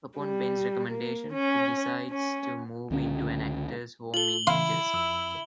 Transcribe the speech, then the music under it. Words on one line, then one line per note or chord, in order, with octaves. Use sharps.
Upon Ben's recommendation, he decides to move into an actors' home in New Jersey.
G3
A#3
C#4
C#4
C#2 D3 C#4
F4 A4 F#7 G7
C#3 E3 E4 F5 C6
F2 E6